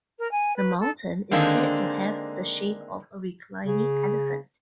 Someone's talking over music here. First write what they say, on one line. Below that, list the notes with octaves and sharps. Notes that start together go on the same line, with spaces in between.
The mountain is said to have the shape of a reclining elephant.
A#4
G#5
B4
A4
D3 D#3 G#3 A#3 C4 D4
C#3